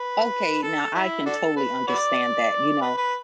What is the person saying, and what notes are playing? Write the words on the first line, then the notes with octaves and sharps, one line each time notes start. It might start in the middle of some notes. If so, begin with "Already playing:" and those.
Okay, now, I can totally understand that, you know,
Already playing: B4
A4
E4
D4 F#4 A4
B4
F#4 B4 D5
B4
B4